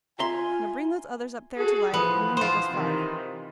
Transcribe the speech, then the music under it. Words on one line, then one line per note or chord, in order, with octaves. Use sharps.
Now bring those others up there to life, and you make us five.
F4 E5 G#5 A#5 C6
F#4 G#4 A4
E3 F3 B3
F4 C5
C3 D#3 E3